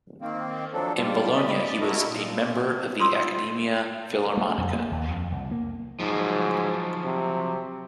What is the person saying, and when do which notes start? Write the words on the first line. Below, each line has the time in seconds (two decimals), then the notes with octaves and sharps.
In Bologna he was a member of the Accademia Filarmonica.
0.22 D#3 A#3 C4
0.73 F3 F#3 D4 A4
0.97 G#2 G3 F4 D5
1.34 D5 D#5 B5
1.81 E4 F#4 A4 A#4 D#5
2.06 A#2
2.99 F4 A4 D5 C6 D#6 E6
4.37 A3
4.58 F2
4.74 A#3
4.91 D#2
5.10 F2
5.32 C2
5.51 A#3
6.00 G#2 F3 F#3
7.05 C3